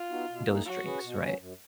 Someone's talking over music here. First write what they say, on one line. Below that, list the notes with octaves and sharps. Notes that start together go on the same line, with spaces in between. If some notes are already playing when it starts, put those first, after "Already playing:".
those drinks, right?
Already playing: F4
B3 D#4 F#4
B2
A#3 D#4 G#4
F#3 F#4
C#4 G#4 B4
B2
F#3 C#4
F#2